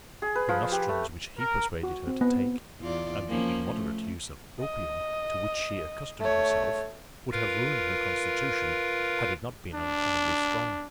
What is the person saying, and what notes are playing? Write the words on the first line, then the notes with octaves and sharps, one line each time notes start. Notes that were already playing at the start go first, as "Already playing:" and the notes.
The nostrums which he persuaded her to take, and the immoderate use of opium to which she accustomed herself, would have ruined her constitution, had it not been uncommonly strong.
G#4
B4
F3
G4
A3
A#4
F#4
C4
B3
E2 F4 D5
F3 A#3 C#4
A3
D#5
A3 C#5
F4 A#4 B4 F5
D4